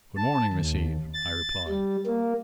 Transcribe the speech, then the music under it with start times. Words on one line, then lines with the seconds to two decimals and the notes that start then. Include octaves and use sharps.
"Good morning, Miss Eve!" I replied.
0.17 A5
0.54 D#2
1.13 A6
1.69 G3
2.07 A#3